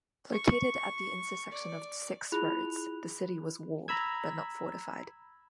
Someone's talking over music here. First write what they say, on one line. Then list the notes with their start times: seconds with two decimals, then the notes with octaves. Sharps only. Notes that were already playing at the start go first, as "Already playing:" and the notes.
Located at the intersection of six roads, the city was walled but not fortified.
0.33 C#6
1.52 D5
2.32 E4 F4 G#4 B5 F#6 F7
3.88 A#5 B5 E6 G#6